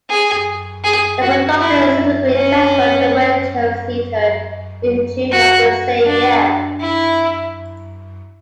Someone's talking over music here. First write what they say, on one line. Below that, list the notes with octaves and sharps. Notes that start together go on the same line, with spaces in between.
The production subsequently transferred to Wyndham's Theatre in June of the same year.
G#4
G#4
F#4
E4
C#4
F#4
D4
E4